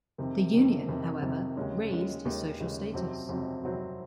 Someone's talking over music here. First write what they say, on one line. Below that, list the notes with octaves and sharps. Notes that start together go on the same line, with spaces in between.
The union, however, raised his social status.
F2 C3 D#3
F2 C3 D#3
F2 C3 D#3
F2 C3 D#3
D#2 C#3 G#3 C#4
D#2 C#3 G#3 C#4
D#2 C#3 G#3 C#4
D#2 C#3 G#3 C#4
F2 C3 F#3 C4
F2 C3 F#3 C4
F2 C3 F#3 C4